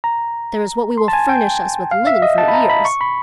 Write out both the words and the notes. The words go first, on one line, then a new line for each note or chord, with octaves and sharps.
There is what will furnish us with linen for years.
A#5
C6
A5
G#5
G5
F5
E5
D#5
A5
B5
A#5
B5
C#6
B5